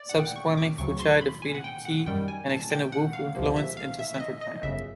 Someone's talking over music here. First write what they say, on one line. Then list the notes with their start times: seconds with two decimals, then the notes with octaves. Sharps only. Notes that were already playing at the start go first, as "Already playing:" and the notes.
Subsequently, Fuchai defeated Qi and extended Wu influence into central China.
Already playing: D5
0.09 F#5
0.15 G5
0.36 C#6
0.57 D6
0.78 D2 C#3 F#3 C#6
0.99 C6
1.21 B5
1.42 G#5
1.55 F#5
1.64 G5
1.85 F#5
2.06 F#2 D#3 G3 G5
2.28 G#5
2.50 A5
2.70 G5
2.92 F#5
3.13 F5
3.35 C#2 C3 F3 A#3
3.56 E5
3.77 F5
3.99 E5
4.14 E5
4.20 D#5
4.41 D#5
4.63 G1 F#2 C#3 E5